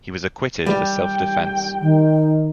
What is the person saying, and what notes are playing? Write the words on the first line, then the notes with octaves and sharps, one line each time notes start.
He was acquitted for self-defense.
G3 G5
D#3